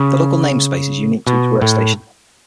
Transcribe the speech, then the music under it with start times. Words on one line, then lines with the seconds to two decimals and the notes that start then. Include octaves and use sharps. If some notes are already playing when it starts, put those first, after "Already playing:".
The local name space is unique to each workstation.
Already playing: C#3
1.27 B2
1.61 A2